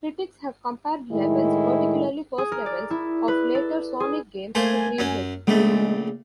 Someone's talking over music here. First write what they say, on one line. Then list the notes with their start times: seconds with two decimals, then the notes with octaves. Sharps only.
Critics have compared levels, particularly first levels, of later "Sonic" games to Green Hill.
1.12 A2 D#3 G#3 E4
2.38 G#4
2.52 A#4
2.66 D5
2.90 E4
3.28 B4
3.55 A4
4.00 G#4
4.55 A3 A#3 C5 G#5
4.99 F#2 C#4
5.47 A#1 C#3 G#3 A3